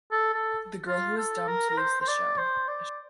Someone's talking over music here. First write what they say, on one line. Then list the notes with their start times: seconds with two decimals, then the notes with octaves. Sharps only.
The girl who is dumped leaves the show.
0.12 A4
0.34 A4
0.87 F4
1.18 A4
1.48 A#4
1.70 A#4
1.78 C5
2.01 C5
2.08 D5
2.38 C5
2.68 D5